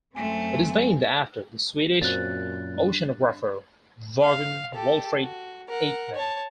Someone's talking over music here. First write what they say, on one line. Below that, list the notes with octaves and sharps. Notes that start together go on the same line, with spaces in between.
It is named after the Swedish oceanographer Vagn Walfrid Ekman.
F#2 A3 C4 G#5
F#2 A#2 C4 F#4 C5 F#6 A6
G2
F5
G4 A4
F#4
A#4 F#5
C#5 A5